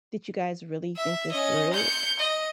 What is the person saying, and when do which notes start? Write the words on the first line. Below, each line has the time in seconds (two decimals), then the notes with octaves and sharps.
"Did you guys really think this through?
0.96 E5
1.32 C#4 D#5
1.74 G6 C#7
2.20 D#5